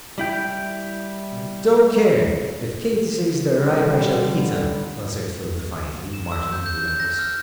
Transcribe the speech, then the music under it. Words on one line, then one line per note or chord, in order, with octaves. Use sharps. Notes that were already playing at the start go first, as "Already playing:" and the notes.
"I don't care, if Katy says they're ripe I shall eat 'em," answered Phil, defiantly, marching into the house.
G3 E4 G5
D3 G3
E7
E6
G6
G6
G6
A#6
F6